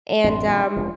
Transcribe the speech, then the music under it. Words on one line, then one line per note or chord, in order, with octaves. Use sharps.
And, um,
A1 F#2 A2 C4 D4 E5 C6
A#2 D#3 F#3
G3 A3
F1 E2 C#3 F3 D4